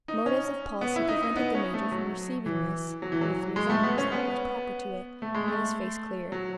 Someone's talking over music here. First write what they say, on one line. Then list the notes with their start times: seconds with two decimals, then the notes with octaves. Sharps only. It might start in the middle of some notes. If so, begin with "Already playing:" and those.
Motives of policy prevented the Major from receiving this with the resentment that was proper to it, and his face cleared.
0.08 D#4
0.26 C#4
0.81 B3
0.96 E4
1.09 D#4
1.23 D#4
1.36 B3
1.55 C#4
1.74 A3
1.92 F#3
2.46 E3
3.02 F#3
3.12 E3
3.21 F#3
3.56 G#3
3.70 A3
3.83 B3
3.98 C#4
4.12 B3
5.22 A3
5.34 G#3
5.48 A3
6.32 F#3